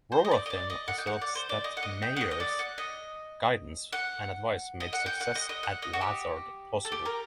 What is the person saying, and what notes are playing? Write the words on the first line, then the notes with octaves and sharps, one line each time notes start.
Rohatyn asserts that Meyer's guidance and advice made success at Lazard possible.
C5
D#5
D5
D#5
D5
D#5
F#5
G5
F#5
D5
C5
D5
D#5
F#5
D#5
G5
F#5
D#5
D#5
D5
F#5
D#5
F#5
D#5
F#5
G5
F#5
D#5
D#5
F#5
D#5
F#4
G4
A4
G4
A#4